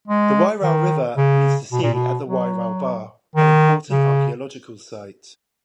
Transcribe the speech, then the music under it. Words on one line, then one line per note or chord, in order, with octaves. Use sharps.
The Wairau River meets the sea at the Wairau Bar, an important archaeological site.
G#3
D#3
C#3
B2
A#2
B2
F#3
D#3
C#3